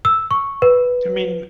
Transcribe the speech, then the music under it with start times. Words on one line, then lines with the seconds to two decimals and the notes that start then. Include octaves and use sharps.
I mean
0.05 E6
0.31 C#6
0.62 B4